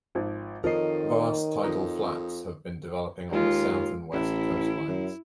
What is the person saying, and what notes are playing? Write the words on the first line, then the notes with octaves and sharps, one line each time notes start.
Vast tidal flats have been developing on the south and west coastlines.
G#1 F3
F2 D#3 F3 A#4 C#5 D#5 C7
F2 D#4
D#2 G#3 F4
A1 E4
F#2